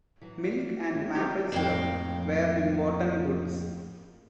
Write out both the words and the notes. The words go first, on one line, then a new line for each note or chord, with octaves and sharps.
Milk and maple syrup were important goods.
E3 F#3
E3 F4 D5
D3 D#3 G#3 A#3 C#4
F#3 G3 A3 C4 G4
F2 A2 A#3 G4 F5 G5